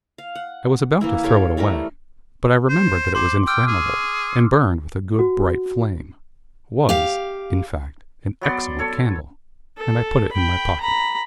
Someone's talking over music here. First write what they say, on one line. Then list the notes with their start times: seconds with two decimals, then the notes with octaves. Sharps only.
I was about to throw it away, but I remembered that it was inflammable and burned with a good bright flame--was, in fact, an excellent candle--and I put it in my pocket.
0.18 F5
0.35 F#5
1.01 E3 A#3 E4
1.23 G4 A4 C#5 F5
1.57 E3 G3 A3 A#4
2.69 C5
3.15 C5 C6 D6
3.47 G5 D6 E6 F6
3.67 G#4
5.19 F#4
6.89 G4 F5
8.41 F#3 B3 D5 C6
8.79 A4 C#5
9.77 A4
10.32 G5 B5
10.81 A#5 B5